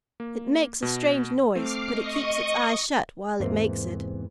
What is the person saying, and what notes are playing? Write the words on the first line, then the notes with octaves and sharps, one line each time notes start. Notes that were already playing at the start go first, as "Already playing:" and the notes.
"It makes a strange noise, but it keeps its eyes shut while it makes it."
A#3
B2
A3 C4 D6 F6 C7
D#5 C#6 D#6
E2 G#2 C3 E3 A#3 C4